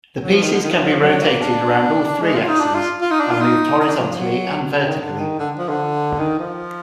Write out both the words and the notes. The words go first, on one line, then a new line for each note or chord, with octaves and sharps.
The pieces can be rotated around all three axes, and moved horizontally and vertically.
F#3
F3
D#3
D3
D#3
F3
F#3
F3
F#3
A#3
D4
G#3
F4
D#4
D4
F4
F4
D#4
D4
F4
D#4
D#4
D4
F3
F3
F#3
D3
D#3
D3
D#3
D3
F3
D3
D#3
F3